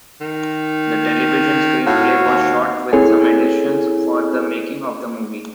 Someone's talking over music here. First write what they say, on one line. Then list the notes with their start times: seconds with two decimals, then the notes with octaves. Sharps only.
The television screenplay was shot with some additions for the making of the movie.
0.21 D#3
1.86 A2 F#4 C#5 F5
2.25 D#2
2.93 C4 E4 G#4 A4 C#5 G#5